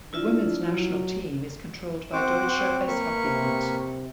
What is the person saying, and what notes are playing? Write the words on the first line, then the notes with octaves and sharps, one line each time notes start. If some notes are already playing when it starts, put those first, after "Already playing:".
The women's national team is controlled by Deutscher Eishockey-Bund.
D4 E4 F4 E5
F#3
C4 F#4 C5 D6
C4
A#3 B4 C#6
C3